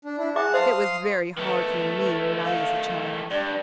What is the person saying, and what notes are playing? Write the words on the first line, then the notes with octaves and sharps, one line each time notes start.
It was very hard for me when I was a child.
D4
D4 E4
E4 G#4 E5 F#5 A5 D6
C5 E5 F5 A5 C6 D#6
D#3 A3 B4
F5
G2 D5